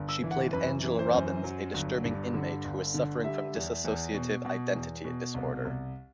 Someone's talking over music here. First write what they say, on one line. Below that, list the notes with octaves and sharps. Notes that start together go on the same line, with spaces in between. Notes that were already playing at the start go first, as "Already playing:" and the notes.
She played Angela Robbins, a disturbing inmate who was suffering from Dissociative Identity Disorder.
Already playing: G1
E6
E3
F#5
F#2 B4
E3
C5
F#2
F#3
G1
G2
D3
G1
D3
G3 E5
E2
E2
B2
B2
E2
B2
C2
C2